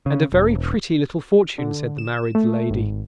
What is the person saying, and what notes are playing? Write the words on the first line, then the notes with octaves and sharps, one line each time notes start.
'And a very pretty little fortune,' said the married lady.
C#3
E1
D3
E7
A3
G#1